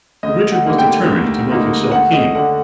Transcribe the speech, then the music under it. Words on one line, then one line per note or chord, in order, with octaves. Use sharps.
But Richard was determined to make himself king.
D2 D#5
F#5
D3 G3 A#3 D#4
G5
D2
D3 G3 A#3 D#4
D2 F#5
D#5
D3 A3 D4 F#5